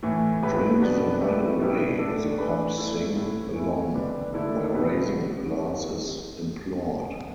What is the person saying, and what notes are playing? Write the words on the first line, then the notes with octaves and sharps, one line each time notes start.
"Drink the Night Away" is a pub sing-along where raising a glass is implored.
A2 E3 A3
A2 A3 G4 B4
B2 B3 D4 B4
A3 G4 B4
B2 G3 E4 G4 B4
A2 A3 D4 A4
E3 A3 D4 B4
A3 E4 A4
A2 A3 E4
E3 A3 E4
D3 G3 D4 G4 B4
D3 A3 E4 A4
B2 A3 G4 B4